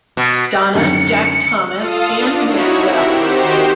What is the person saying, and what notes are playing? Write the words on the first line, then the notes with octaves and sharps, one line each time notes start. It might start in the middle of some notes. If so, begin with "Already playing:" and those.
Donna, Jack Thomas and Emmanuel.
B2
F#2 D3 D#3 C#7
F4 A4 F5 D#6
D4
D#4 E4 F#4 C#5
C4 E4 G4 A#4 E5 F#5
D#3 F#4 G4 C5